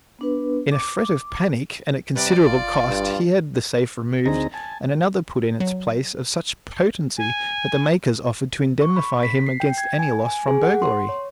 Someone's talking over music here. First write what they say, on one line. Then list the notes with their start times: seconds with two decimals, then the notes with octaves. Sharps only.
In a fret of panic and at considerable cost he had the safe removed and another put in its place of such potency that the makers offered to indemnify him against any loss from burglary.
0.19 B3 D4 B4
0.72 D6
2.15 C3 G3 B4 D5
2.45 G1 F4
2.89 G2
4.26 D2 C4 D#4 G#4 A#5
4.54 G#5 A5
5.60 F#3
7.18 G#5
8.81 C#6
8.96 B5
9.23 B6
9.47 C7
9.60 G5
9.78 G#6
9.99 G#5
10.26 G#5
10.48 G#4
10.63 F#5
10.82 C6
11.09 C#5